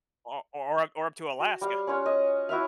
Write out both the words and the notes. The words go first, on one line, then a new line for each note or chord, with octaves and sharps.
Or or or or up to Alaska.
F#4
G3 F5
C#4 F4 C#5 F#5
D#5
E4 F#4 E5 F5